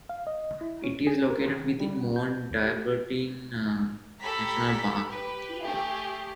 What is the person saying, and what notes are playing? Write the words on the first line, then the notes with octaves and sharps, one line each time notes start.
It is located within Morne Diablotin National Park.
F5
D#5
E4
C#4
G#4
A#4
D#3
G3
G6
D#2
G4
G4 A4 A#5 B5 B6
G4 B4
A3 G4 G#4